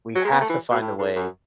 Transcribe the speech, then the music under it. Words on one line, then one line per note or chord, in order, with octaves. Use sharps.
we have to find a way
F#3
G#3
B3
A3
E3
B2
A2
G#2
F#2